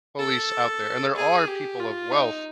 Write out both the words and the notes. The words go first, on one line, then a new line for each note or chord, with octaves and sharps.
police out there, and there are people of wealth
A4
G#4
G4
F4
D#4